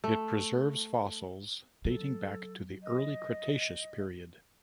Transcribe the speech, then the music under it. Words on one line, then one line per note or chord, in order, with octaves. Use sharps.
It preserves fossils dating back to the early Cretaceous period.
A3
F#3 A4
D#5